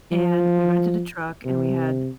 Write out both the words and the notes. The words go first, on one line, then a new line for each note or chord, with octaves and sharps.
and we rented a truck and we had
F3
C3